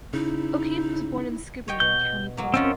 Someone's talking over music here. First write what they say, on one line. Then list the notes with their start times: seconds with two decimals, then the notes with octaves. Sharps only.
O'Keeffe was born in Skibbereen, County Cork.
0.14 C#3 D#4 E4
1.68 C#5 D#5 G5
1.80 B2 G6
2.37 F#3 A#3
2.54 F#2 C4 C#4 F4 D#5